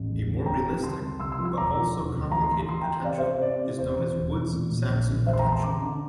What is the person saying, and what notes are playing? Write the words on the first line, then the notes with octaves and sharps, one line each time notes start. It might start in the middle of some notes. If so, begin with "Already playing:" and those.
A more realistic but also complicated potential is known as Woods-Saxon potential.
Already playing: A1
E2
E2
F1 G5 A#5
C3
C2 A5 C6
C2
C2 C6 E6
C6 E6
F3
C6 E6
E1 A#5 D6
F3
E1
D2
E3 A#5
C6
E3
A#5
E3 C6
G5 A#5
E3
C3 D5 F5
C5 E5
C3
C5
C3 D5
C3
E1 C5
E3
E1
E3
A#2
A#1
A#1
A#1
E2 C5 E5
C6
G5 A#5
E2
A5 C6
D3 A#5 D6
D3